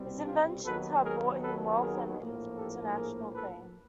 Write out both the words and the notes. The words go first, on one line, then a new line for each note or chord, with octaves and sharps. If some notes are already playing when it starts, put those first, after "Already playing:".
His inventions had brought him wealth and international fame.
Already playing: C2 B2 G3 C4
F4 G4
D#2 D#3 F#3 B3 A4 B4
G#4 A#4
A4 B4
G#4 A#4
A#1 A2 F3 A#3
G4 A4
G#4 A#4
A4 B4